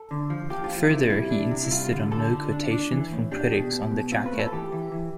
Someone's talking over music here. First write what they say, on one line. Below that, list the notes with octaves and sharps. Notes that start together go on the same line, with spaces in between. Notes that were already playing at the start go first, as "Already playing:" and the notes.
Further, he insisted on no quotations from critics on the jacket.
Already playing: A4
D3
F3
F3 G4
F4
F3
F4
C3 E4
G3 E4
D4
C3
E4
G3 F4
F4
D3
D3 A4
D3
D4
D4
E3
A2
D4 G4
B2
B2
B2
C4 F4
B4
A3
A4
E3 G4
E3
E3